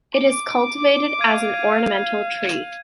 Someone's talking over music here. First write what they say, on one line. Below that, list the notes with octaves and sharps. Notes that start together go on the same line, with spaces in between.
It is cultivated as an ornamental tree.
D6
F5 G#6 D#7